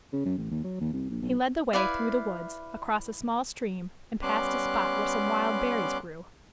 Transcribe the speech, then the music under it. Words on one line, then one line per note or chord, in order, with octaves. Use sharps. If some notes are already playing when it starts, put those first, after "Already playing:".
He led the way through the woods, across a small stream and past a spot where some wild berries grew.
C#3
F#2
A1
D#2
F#3
D#2
C2
A#1
B1
E4 B4 D5 F5
G3 B3 C#4 C6 D6 F#6